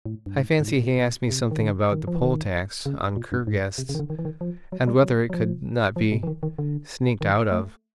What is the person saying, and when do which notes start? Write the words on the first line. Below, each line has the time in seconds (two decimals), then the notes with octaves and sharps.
I fancy he asked me something About the poll-tax on Kur-guests, and whether it could not be sneaked out of.
0.06 A2
0.26 G2
0.36 G#2
0.60 G#2
0.68 A2
0.83 A#2
0.99 B2
1.30 C3
1.51 D#3
1.61 D3
1.92 D#3
2.07 F3
2.15 E3
2.23 D#3
2.86 C#3
3.17 A#2
3.32 G2
3.47 G#2
3.78 C3
3.89 C#3
3.95 D#3
3.99 D3
4.10 D#3
4.19 E3
4.25 D#3
4.41 F3
4.72 F#3
4.87 G3
5.03 F#3
5.30 F#3
5.34 F3
5.96 F3
6.12 B2
6.23 E3
6.27 D#3
6.43 D#3
6.58 D3
7.21 D#3
7.51 A3